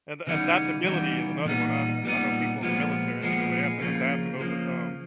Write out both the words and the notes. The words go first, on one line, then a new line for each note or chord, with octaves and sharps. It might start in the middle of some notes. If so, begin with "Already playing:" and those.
And adaptability is another one, I I know people in the military, you know, they have to adapt and overcome.
C#3 E3 G3 B3 D#4
C#3 E3 G3 B3 D#4
A#2 G3 B3 D#4
A#2 G3 B3 D#4
A#2 F3 G#3 B3
A#2 F3 G#3 B3
C#3 F3 A#3
C#3 F3 A#3